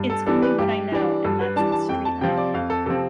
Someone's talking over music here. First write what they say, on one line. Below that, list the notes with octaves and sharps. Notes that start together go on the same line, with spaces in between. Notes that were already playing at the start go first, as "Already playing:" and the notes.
It's only what I know and that's that street life.
Already playing: G2
A4
E3 G3 D4 A4
B4
G2 G4
E3 G3 D4
G2 A4
B4
E3 G3 D4 A5
A5
F2 G5
A5
C3 F3 C4 G5
D5
F2 F5
A4
C3 F3 C4 A4